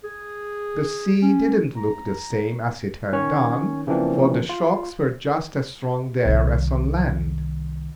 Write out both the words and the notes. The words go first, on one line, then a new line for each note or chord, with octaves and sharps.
The sea did not look the same as it had done, for the shocks were just as strong there as on land.
G#4
C#4
A#5
D#3 C#4 C#5
C#3 E3 F3 A#3 C4 D4
F4
C2 D#3